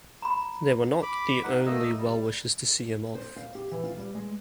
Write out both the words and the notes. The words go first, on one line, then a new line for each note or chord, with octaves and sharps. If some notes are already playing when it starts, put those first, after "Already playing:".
They were not the only well-wishers to see him off.
A#5 B5
B5 D6
D#4 F#5
A3 A#3 D#5 E6
G3
C5
F5
G4
E3
F4
G3
G#3